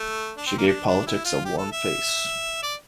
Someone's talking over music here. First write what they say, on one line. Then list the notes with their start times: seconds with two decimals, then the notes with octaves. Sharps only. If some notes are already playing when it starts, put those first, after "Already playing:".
She gave politics a warm face.
Already playing: A3
0.37 D4
0.47 C4
0.58 A#3
0.67 D4
0.86 D4
1.06 E4
1.25 F4
1.45 G4
1.57 A4
1.72 E5
2.63 D5